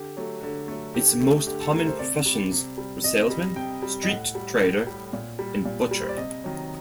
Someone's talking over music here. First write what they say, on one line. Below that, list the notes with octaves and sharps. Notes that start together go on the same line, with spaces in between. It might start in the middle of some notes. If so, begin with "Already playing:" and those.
Its most common professions were salesman, street trader and butcher.
Already playing: D3 G4
F#3 A3
D3
F#3 A3
D3 G4
A3
D3 G4
A4
A3 A#4
C5
C3 D5
G3
C3
G3
C3 D#5
G3
C3 G5
G3
D#5
A2 F#5
G3
A2
G3
A#2
G3
A#2
G3
C5
D5
C3 D#5
D#3 F#3